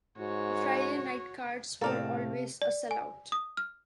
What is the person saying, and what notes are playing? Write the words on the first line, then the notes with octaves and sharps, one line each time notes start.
The Friday night cards were always a sellout.
G#2 F#4 C#5
A2 C3 A#3 C4 A4 D5 F5 A5
D5
G#5
D#6
F6